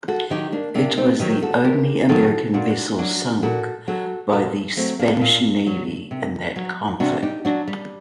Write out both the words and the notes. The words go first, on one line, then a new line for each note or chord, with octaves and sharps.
It was the only American vessel sunk by the Spanish navy in that conflict.
F#4 A4
D#3 F#3 D#4 G4
A#3 D4
C3 A#3 D4
C4 D#4
D#3 F#3 D#4 G4
F#4 A4
C3 G4 A#4
D#3 F#3 F#4 A4
A#2 D4 F#4
F#3 D4 F#4
A#2 F#4 A4
F#3 F#4 A4
A#2 F#4 A4
F#3 A3 C4
A#3 D4
A#2
F#3
C3
F#3
C3 D4 F#4
D#4 G4
F#3 D4 F#4
G3